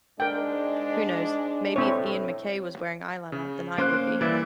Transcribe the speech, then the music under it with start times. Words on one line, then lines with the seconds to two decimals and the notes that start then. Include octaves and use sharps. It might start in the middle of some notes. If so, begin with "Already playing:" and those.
Who knows, maybe if Ian MacKaye was wearing eyeliner then I would be.
0.20 G#2 G#3 D4 A#4 G5
1.76 A2 C4 C#5
3.32 C#3
3.78 A#3 C#4 C5 F5 C6 F#6
4.21 E3 G3 A#3 D5 E5